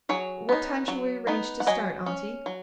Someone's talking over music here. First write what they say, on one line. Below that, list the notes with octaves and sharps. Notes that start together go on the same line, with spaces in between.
"What time shall we arrange to start, auntie?"
F#3 G#4 C#5
B3 D#4
F#3
B3 D#4
F#5
F#3 D#5 G#5
C#4
F#3